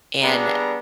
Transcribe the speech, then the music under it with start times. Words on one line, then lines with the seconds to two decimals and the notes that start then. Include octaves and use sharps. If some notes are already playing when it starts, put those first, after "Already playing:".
And, eh,
0.22 G3 B3 D4 G#4 A#5